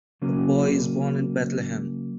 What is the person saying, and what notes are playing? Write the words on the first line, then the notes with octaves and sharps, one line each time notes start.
A boy is born in Bethlehem.
C#3 F#3 A#3 C#4